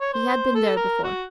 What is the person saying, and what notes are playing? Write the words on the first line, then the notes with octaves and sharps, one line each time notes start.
He had been there before.
C#5
C5
A4
A#4
F#4